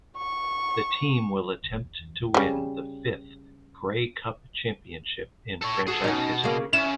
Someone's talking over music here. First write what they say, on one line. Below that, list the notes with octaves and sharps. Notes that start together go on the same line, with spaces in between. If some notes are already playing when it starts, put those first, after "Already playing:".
The team will attempt to win the fifth Grey Cup championship in franchise history.
C#6
C#3 G3
A4 C#5
F#4 G#4 A4
B2 C#4 D#4
C#3 A#3
C#3 E4 E7